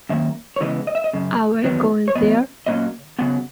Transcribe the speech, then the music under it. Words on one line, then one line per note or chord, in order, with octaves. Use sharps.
Are we going there?
F#2 D#3 A#3 E5
C#5
C#3 E3 G#3 B3 D#5
D#5
E5
D#5
F#2 C#3
E2 D#3 F#3 B3
C#5
E2 D#3 F#3 B3 D#5
A#2 F#3 A#3 C#4 D#5
C#3 F#3 B3 F#5